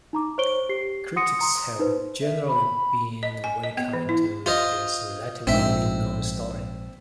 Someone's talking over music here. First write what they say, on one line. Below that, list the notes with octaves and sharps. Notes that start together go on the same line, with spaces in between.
Critics have generally been very kind to this relatively little-known story.
D#4 A#5 D6
C5 C#5 C#6 D7 G7
G4 C7
F#5 C6 D#6 A#6 C#7 D#7
A#5 C6 D#6
D#4 B4 C5
E5
B5
D#5
G#5
D#5
B3
E3
E4
F4 C5 D#5
A#1 G#2 C4 E5